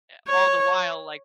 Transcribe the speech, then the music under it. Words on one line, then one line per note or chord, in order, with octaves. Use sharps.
eh, all the while, like
C#5